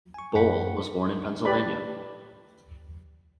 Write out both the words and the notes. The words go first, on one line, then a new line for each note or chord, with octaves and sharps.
Boal was born in Pennsylvania.
G#5 C#6
F#2 F#5 G5 B5 B6 C#7
G4 B4 D5 B5